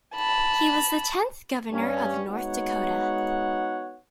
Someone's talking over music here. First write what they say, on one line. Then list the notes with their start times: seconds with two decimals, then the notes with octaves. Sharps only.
He was the tenth Governor of North Dakota.
0.15 A5 B5
1.72 G2 C#4
2.28 G#3 B3 D#4 F#4 C#5 F#5